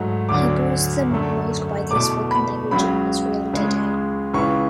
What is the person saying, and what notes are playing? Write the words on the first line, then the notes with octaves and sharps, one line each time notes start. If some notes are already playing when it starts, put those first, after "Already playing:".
Hebrew is the most widely spoken language in Israel today.
Already playing: G#2 F#3 A3
D2 D3 F#3 D6
F#2 D3 A3
E2 B2 A3 D6
B5
C#2 C#3 F#3 B5
C#2 C#3 G#3
C#2 C#3 E3 C#6